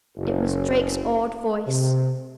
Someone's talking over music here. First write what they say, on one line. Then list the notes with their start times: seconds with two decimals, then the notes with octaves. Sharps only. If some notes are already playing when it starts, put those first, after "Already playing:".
It was Drake's awed voice.
0.18 F#1
1.67 C3